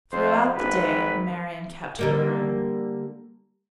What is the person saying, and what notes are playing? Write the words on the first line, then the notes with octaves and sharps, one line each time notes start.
Throughout the day Marian kept her room.
F2 C5
G#1 B4
D3 G3 A#3